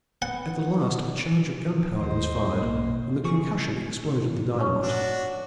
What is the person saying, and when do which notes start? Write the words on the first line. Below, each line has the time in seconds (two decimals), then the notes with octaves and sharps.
At the last a charge of gunpowder was fired, and the concussion exploded the dynamite.
0.22 B3 F#5
1.98 D#2 C5 D#5
2.62 B1 A#3
3.24 C#3 F3 G#4 C#6
4.60 C#4
4.83 D4 F#4